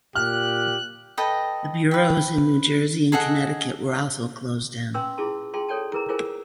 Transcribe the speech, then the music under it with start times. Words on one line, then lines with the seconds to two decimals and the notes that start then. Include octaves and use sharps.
The bureaus in New Jersey and Connecticut were also closed down.
0.15 A#2 G4 F6 F#6
1.17 A4 B4 D#5 G5
1.91 B4 G5
3.12 G#4 A4 D#5 F#5
4.94 C#4 B4 G#5 C6 E6
5.18 E4 F4 G#4 A5 C6
5.54 F4 G#4 G5 A5 C6
5.68 A4 C#5 D5 G5 A5
5.92 E4 G#4 A#4 B4 A#5
6.09 E4 F4 G#4 A#4 C5 G#5